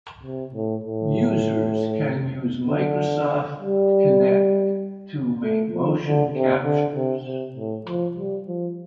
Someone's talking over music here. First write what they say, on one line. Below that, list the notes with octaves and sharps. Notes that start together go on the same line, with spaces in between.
Users can use Microsoft Kinect to make motion captures.
C3
A2
A2
D3
G3
A3
F3
D3
C3
D3
C3
C3
A2
F3
G3
F3